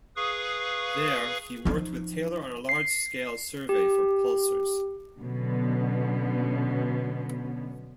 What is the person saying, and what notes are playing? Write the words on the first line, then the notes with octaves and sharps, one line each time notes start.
There he worked with Taylor on a large-scale survey for pulsars.
G#4 B4 F5 C#6 D#6
F3 D#4
C7
G4
B2 D3 F#3 B3 C#4